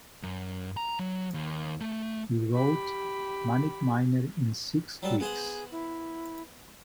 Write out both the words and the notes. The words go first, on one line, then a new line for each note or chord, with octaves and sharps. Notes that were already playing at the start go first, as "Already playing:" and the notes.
He wrote "Manic Miner" in six weeks.
F#2
A#5
F#3
D#2
A3
G4 B5
F#3 G3 A4
B3 G#4 C5 F#5
E4